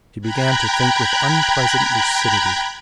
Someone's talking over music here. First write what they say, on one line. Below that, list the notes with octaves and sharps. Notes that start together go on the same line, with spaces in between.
She began to think with unpleasant lucidity.
G5 A#5 B5 F#6 G#6